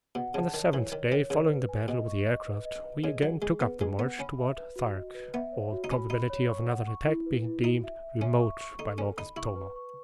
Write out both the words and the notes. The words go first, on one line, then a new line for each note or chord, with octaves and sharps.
On the seventh day following the battle with the air craft we again took up the march toward Thark, all probability of another attack being deemed remote by Lorquas Ptomel.
B2 F#5
C#3 A5
D#3 C#5
E3 C#5
D#3 C#5
D#3 C#5
C#3 B4
B4
G#5
B2 D#5
C#6
D#5
B4
D#5
B4
C#3 D#5
F#3 G#4
G#3 G#4
B3 B4
G#3 B4
B3 F#5
C#4 B5
E5
B4
F#4
D#5
B4
B3 E5
C#5
F#4
D#4
C#4 B5
D#4 B5
C#5
C#6
F#5
C#6
E4
B4
E4
D#4 F#4
E5
E5
C#4 E5
C#6
C#6
D#4 A4
C#4 A4
D#4 B5
E4 C#6
B4
C#6